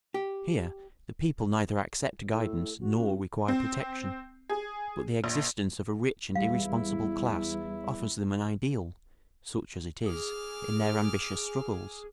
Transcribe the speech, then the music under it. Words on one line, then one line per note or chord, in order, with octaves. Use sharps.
Here the people neither accept guidance nor require protection; but the existence of a rich and irresponsible class offers them an ideal, such as it is, in their ambitious struggles.
G4
A2 A4
F#4
C#2
C4
G#4
A#1
E2 G3 E4 F5
G#4 D6 F6